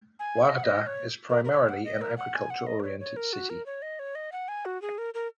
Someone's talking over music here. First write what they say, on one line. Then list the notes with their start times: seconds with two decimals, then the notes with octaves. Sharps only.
Wardha is primarily an agriculture oriented city.
0.19 G#5
0.42 F#5
0.49 D#5
0.56 F#5
0.64 D#5
0.86 C#5
1.29 A#4
1.45 A#4
1.51 C#5
1.69 F#5
1.85 D#5
2.01 A#4
2.18 F#5
2.35 G#5
2.50 F#5
2.66 D#5
2.80 A#4
2.83 C#5
3.00 C#5
3.16 A#4
3.33 F#4
3.49 A#4
3.66 C#5
3.82 D#5
3.99 C#5
4.15 D#5
4.32 F#5
4.48 G#5
4.65 F#4
4.82 G#4
4.98 A#4
5.14 A#4